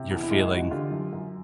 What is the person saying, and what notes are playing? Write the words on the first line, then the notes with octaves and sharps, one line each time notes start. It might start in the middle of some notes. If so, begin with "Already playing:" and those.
you're feeling
Already playing: C3
E2
E4
G#3 F4
E3 E4 F#4
D3 F4 G4
F#2
F#2